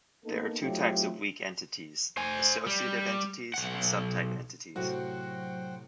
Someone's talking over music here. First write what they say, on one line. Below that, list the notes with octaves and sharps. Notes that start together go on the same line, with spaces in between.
There are two types of weak entities: associative entities and subtype entities.
A#3 B3 D#4 A4
F#3 A3 C4 D#4 F4 G4
C5 G#5
G3
B1 F#5
A2 C3 F#3 F#4 C5 F#5 G5